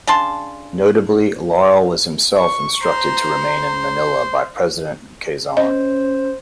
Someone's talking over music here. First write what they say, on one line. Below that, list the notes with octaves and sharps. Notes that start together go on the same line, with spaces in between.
Notably, Laurel was himself instructed to remain in Manila by President Quezon.
C#3 D4 A5 C6
C#6
C5 A#5
C#4 C5 D#5